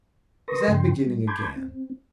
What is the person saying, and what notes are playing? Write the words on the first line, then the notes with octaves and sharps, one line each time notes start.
Is that beginning again?'
A#4 B4 C6 C#6 D#6 A#6
G2 C#3 F3 G5 C6
G3
A5 B5 C6 D6 G6 G#6
C4